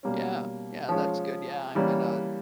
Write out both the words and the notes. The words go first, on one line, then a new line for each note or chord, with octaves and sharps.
Yeah, yeah, that's good yeah, I'm in a
B2 G3 A#3 C#4
F3 G#3 C#4 F4
E3 G3 A#3 C#4